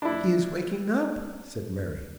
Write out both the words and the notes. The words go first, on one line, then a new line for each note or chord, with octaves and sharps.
"He is waking up!" said Mary.
D4 E4